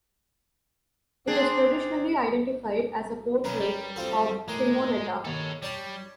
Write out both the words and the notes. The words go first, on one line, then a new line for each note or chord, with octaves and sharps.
It is traditionally identified as a portrait of Simonetta.
C4 D4 G#4
F#2 C#3 C#4 A#4 B4
G3
C4 F4 A4
A2 G#3 A#4 D6
D#2 A4 C#5
G3 C#5 D5 A5